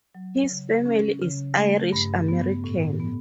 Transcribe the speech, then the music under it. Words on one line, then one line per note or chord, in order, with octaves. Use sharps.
His family is Irish American.
F#3
C#3
C#4
C#3
A3
G2
B3
A2
B3